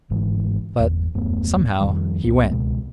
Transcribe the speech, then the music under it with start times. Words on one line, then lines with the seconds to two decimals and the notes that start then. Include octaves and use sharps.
But, somehow, he went.
0.10 G1 G#2 E3 G#3
0.79 G1 E2
1.14 D#1 F#2 A3 B3
1.81 F2 D#3 F3 G3
2.24 C2 A#3 B3
2.51 C#2 B2 G#3